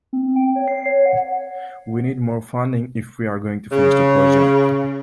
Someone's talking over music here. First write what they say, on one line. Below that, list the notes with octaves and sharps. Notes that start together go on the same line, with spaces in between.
We need more funding if we're going to finish the project.
C4
G5
C#5
C7
C#5
F#5
C#3